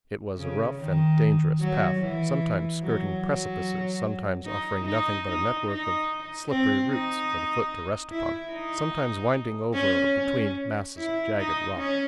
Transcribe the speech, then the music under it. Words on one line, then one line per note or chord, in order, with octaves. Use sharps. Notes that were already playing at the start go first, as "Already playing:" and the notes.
It was a rough and dangerous path,--sometimes skirting precipices,--sometimes offering nothing but a network of slippery roots for the foot to rest upon,--sometimes winding over or between masses of jagged rock.
C#3
D#3
F#3
E3
F#3
F#3
D#4
D#4
D#4
D#4
C4
D#4
E4
D#4
C#4
C#4
E4
D#4
C#4